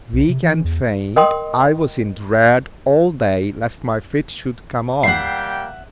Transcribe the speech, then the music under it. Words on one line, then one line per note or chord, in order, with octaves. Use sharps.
Weak and faint, I was in dread all day lest my fit should come on.
B1
C3
E3
E2
A#4 D#5 G5 C6 D#6
G3 A#3 E5 F#5 G5 C7